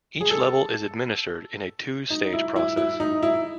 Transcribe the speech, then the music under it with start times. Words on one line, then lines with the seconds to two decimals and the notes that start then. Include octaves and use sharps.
Each level is administered in a two-stage process.
0.21 G#4
0.30 A4
2.10 D#4
2.33 E4
2.56 E4
2.77 E4
3.00 D#4
3.23 E4